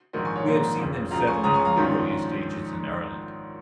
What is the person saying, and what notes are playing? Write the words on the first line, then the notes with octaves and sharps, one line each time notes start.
We have seen them settling, in the earliest ages, in Ireland.
A#1 G#2 D#3 A#4 D#5
G#5 C#6
C#5 F5
A#1 G#2 D#3 A#3
F1 F2 C#3
C#2 C#3 F3 F5 A#5
G#5 C#6
C#2 C#3 G#3 C#4 A#5 D#6
G#5 C#6
F5 A#5
A#1 G#2 D#3 C#4 F4